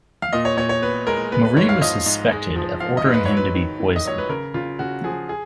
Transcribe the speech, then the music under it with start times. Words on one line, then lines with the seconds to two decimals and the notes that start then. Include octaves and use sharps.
Marie was suspected of ordering him to be poisoned.
0.22 F5
0.33 A#2 D#5
0.45 C#5
0.57 A#2 C#5
0.69 C#5
0.82 B3 B4
1.07 G#3 A#4
1.32 B3 B4
1.45 B4
1.57 G#2 C#5
1.69 F5
1.81 F3 D#5
2.06 G#2
2.32 G#3
2.56 F3
2.80 F3 F5
2.97 D#5
3.05 G#2
3.14 B4
3.25 C#5
3.31 F#3
3.37 B4
3.55 D#3
3.80 D#3
3.96 D#5
4.05 F#3 C#5
4.18 B4
4.29 C#3 A#4
4.54 C#3 F4
4.79 C#3 F#4
5.04 F3 G#4
5.29 G#4